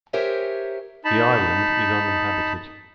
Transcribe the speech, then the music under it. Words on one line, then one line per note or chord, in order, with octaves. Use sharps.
The island is uninhabited.
G4 A#4 C5 C#5 E5 G#5
D#4 A5 B5